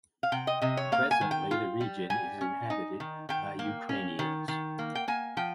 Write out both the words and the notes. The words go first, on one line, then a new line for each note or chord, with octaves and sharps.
Presently, the region is inhabited by Ukrainians.
F5
C3 G5
D#5
C3 D#5
C#5
A#3 F5
G#5
D#3
G5
F4
G3
G3 G#5
C#4
D#4
D#3
D#3 G5
A#3
C#4
D#3
D#3
A#3
G5
A#3 G#5
F3 G5